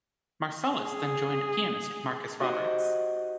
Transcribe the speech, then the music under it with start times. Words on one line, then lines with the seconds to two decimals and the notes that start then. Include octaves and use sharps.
Marsalis then joined pianist Marcus Roberts.
0.75 G#4
2.39 D#4 F#4 G4 C5 D#5 F#5